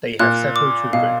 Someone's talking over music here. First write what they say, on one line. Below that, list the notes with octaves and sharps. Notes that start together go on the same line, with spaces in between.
They have several children.
A#2 F#6
D6
B2 F5